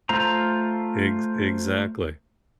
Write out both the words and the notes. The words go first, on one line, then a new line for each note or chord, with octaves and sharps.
Ex exactly.
A3 F4 C5 A#5